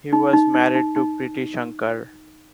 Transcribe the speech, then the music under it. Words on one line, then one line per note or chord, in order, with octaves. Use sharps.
He was married to Priti Shankar.
D#4
D#4
D#4
D#4
D#4